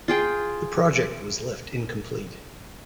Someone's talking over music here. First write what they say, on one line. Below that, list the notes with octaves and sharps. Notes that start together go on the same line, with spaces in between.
The project was left incomplete.
F4 G#4 G5